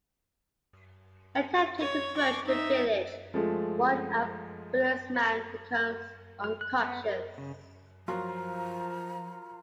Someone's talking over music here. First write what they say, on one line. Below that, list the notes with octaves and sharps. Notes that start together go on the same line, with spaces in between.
Attempting to approach the village, one ambulanceman becomes unconscious.
C#5
C#6 D6
D#4 E5
F3 G#3 A3
F6
F#6
B3
A#4
C#3
F3 F#3 F4 A#4 A#5 D#6